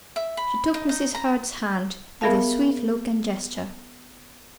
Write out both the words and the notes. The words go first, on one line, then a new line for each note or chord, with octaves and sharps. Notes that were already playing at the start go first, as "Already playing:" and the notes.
She took Mrs. Hurd's hand with a sweet look and gesture.
E5
B5
D#4
D#4
A#5
B3 G#4 A#4 E5 F5 A5